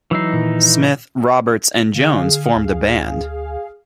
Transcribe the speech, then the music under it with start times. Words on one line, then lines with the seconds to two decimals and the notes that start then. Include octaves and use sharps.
Smith, Roberts and Jones formed a band.
0.11 E3 F#3 D#4 E6 C7
0.33 A#2 D#3
1.95 D3 G#4 F5
2.55 D2